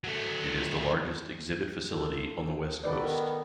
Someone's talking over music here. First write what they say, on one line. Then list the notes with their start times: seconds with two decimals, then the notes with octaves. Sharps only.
It is the largest exhibit facility on the West Coast.
0.04 F#3 A3
1.91 F4 A4
2.83 D#3 B3 A4 B4 D5